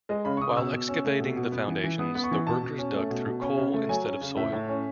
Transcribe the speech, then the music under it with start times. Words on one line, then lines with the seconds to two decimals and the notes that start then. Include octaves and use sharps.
While excavating the foundations, the workers dug through coal instead of soil.
0.09 G#3 D#5
0.25 C#3 B5
0.37 C#6
0.41 C#3 D#6
0.57 B2 E6
0.73 B2
0.88 C#4
1.05 A3
1.20 B2
1.36 B2
1.52 B3
1.68 E3
1.84 E3
1.99 B3 D#6
2.15 B3
2.23 C#6
2.31 E3
2.47 B2 A5
2.63 B2
2.79 C#4
2.94 A3
3.10 B2
3.26 B2
3.42 C#4
3.58 C#3
3.74 A3
3.89 F#3 G#5
4.06 C#4
4.21 C#3
4.37 A2 E5
4.53 A2
4.69 C#4